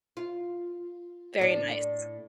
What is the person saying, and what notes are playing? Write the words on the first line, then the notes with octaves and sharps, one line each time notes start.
Very nice.
F4
A2 D4